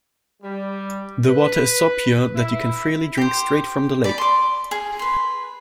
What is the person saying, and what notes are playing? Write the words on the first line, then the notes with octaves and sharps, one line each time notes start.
The water is so pure, that you can freely drink straight from the lake.
G3
B4
E4
G4 C5
D5 B5
C6 D6
G#4
B4 C6